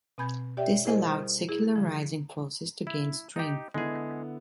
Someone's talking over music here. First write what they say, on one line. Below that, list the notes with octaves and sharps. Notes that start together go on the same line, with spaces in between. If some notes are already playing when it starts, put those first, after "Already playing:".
This allowed secularizing forces to gain strength.
B2 C4 G#5 B5 G6 G#6
G4 C#5 D5 E5 G5
E4 G#4 A#4 C5 D#5 G#5
G3 C5
E4 G#4
D3 F3
E4
D#4 G4
D3 G#3 B3 E4 G#4